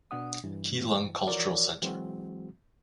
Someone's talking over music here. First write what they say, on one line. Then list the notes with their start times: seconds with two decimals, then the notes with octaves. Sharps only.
Keelung Cultural Center.
0.11 B2 D4 F#5 D#6
0.44 G2 E3
1.27 E3 F3 F#4 A#4 C#5 D5
1.82 E3 F#3 G#3 C4 F#4